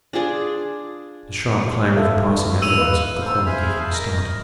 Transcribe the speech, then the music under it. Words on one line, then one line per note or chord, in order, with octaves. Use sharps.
The sharp clang of a passing ambulance at the corner gave him a start.
D4 F4 G#4 D5
A4 E5 F5
E6 D#7 F7
B4 D#5 F5
A4 C5 F6
G#4 C5 E5 F5 G#5 B5
A5
A#4 D#5
D#5